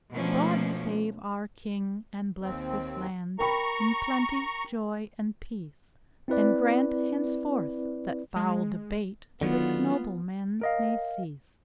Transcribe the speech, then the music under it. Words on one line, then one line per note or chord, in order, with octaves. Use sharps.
God save our king, and bless this land In plentye, joy, and peace; And grant henceforth, that foule debate 'Twixt noblemen may cease!
B2 F3 A3 A#3 C#4 D4
D#2 C4
A#4 G5 A#5 B5 C#6
C4 E4 B4 D5
G#3
D3 D#3 F#3 B3 F4
A#4 D#5 F5